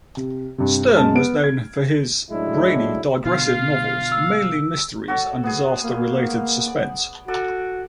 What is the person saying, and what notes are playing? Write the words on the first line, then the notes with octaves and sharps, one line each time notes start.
Stern was known for his "brainy, digressive," novels, mainly mysteries and disaster-related suspense.
C3
G2 C3
F#2 G#3 A5 F6
B3 D7
G#6
F#2 A2 F#3 G#3 D4 E4
B2 D3 F4 F5
E6
F#4 A4 C#5
B3 G#4
A#3
D5
F#4 A4 D5